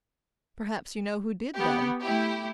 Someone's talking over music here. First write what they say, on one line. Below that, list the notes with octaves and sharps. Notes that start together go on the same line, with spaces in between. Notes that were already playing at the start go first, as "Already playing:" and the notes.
"Perhaps you know who did, then?"
B3 G4
A3 E4 G4